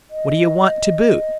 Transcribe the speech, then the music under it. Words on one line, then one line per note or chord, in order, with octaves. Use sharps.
What do you want to boot?'
D#5